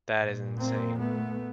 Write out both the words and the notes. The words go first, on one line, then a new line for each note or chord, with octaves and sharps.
That is insane.
A#2
A#3 C4
A3 B3